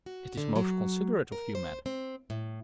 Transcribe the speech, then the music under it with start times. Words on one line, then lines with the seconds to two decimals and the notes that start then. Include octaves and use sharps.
"It is most considerate of you, madam."
0.06 F#4
0.38 D3
0.56 F#3
1.32 A#4
1.55 C5
1.86 C4
2.30 A2